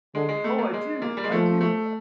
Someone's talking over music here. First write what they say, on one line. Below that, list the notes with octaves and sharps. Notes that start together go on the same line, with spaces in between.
Oh, I do, I do, uh
D3 G#3
G#3
A3
A#3
G#3
A#3
G3
G#3
F3 A3
A3